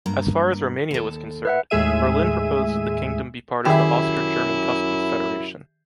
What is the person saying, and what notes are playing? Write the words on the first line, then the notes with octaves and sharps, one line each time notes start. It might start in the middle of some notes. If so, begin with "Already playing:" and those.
As far as Romania was concerned, Berlin proposed that the kingdom be part of the Austro-German customs federation.
G2 A#3 A#5
D#2 A4
B4 E5 F#5
D#2 A2 G#3 G#4 E5 D#7
F#2 D#3 E4 G4 G#4 E5 G5